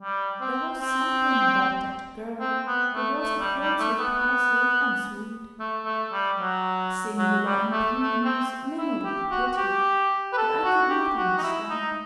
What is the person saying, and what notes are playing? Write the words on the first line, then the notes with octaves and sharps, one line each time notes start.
There was something about that girl that was at once repulsive and sweet, a singular impudence mingled with pity, that I could not understand.
G3
C4
C4
C4
B3
A3
A3
G3
G3
A3
B3
A3
A3
G3
F#3
F#3
G3
A3
A3
C4
E4
G4
F#4
F#4
G4
B4
A4
F#4
G4
F#4
D#4
E4
D#4